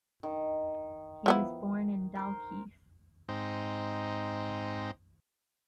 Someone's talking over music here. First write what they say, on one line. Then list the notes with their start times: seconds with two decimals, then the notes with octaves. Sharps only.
He was born in Dalkeith.
0.23 D#3
1.26 F3 B3 E4
2.15 A#4 C5
3.29 G#2 C4 D#4